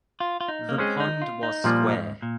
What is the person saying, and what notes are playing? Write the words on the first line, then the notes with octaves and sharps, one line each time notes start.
The pond was square.
F4
F4
D#4
A#3
G#3 C4 C#4 G#4 D#5
D#4
F4
D#4
A#2 F3 G3 A#3 F4
G#2
A#2